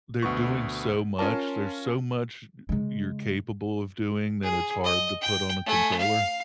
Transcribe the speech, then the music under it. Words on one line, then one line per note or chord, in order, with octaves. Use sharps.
They're doing so much. There's so much y you're capable of doing that it's hard to put on a controller
D2 B2 B4 C#6
C#4 F4 A#4 A5
C#3 G#3
G#4
D#5
G5
A3 G#5
F5